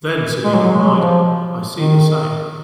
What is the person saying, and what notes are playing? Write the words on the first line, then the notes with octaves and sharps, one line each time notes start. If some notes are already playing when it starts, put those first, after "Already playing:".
Then Sidney replied, 'I see the same.
G#3
F#3
F#3
G#3
F#3
F3
D#3